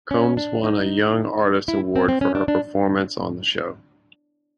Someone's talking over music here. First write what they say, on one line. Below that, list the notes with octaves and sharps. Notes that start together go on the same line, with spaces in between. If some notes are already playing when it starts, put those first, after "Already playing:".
Combs won a Young Artist Award for her performance on the show.
C#4
D4
D#4
E4
C4
C4
C#4
D4
D4